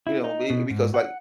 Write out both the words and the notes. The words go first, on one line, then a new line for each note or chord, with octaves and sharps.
You know? B because, like
E4
D#4
B2
G#2
F#5